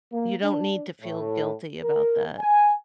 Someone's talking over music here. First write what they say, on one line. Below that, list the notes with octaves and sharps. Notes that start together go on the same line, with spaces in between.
you don't need to feel guilty about that.
A#3
D4
A2
A#4
G#5